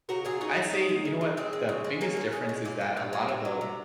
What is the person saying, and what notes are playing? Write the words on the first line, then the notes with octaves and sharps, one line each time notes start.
I say you know what? The biggest difference is that a lot of the
C#3 F#4 A#4
F#3 F4 G#4
C#3 D#4 F#4
F#3
C#3
G#3
C#3
G#3
C#3 C4
G#3
C#3
G#3
C#3 A#3 C#4
G#3
C#3
G#3
A#2 A#3
G#3
A#2
G#3
C3
F#3
C3